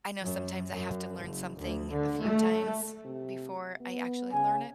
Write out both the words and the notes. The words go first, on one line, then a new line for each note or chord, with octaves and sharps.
I know sometimes I have to learn something a few times before I actually learn it.
F#2
F#2
F#1
D2
D3
A3
C3
B3
C#3 G#5